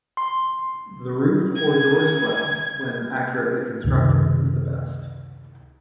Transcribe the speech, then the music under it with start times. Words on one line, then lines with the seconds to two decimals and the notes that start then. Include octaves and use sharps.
The roof or door swell, when accurately constructed, is the best.
0.17 C6
1.56 G#6
3.84 C#2 F#2 C3 D#3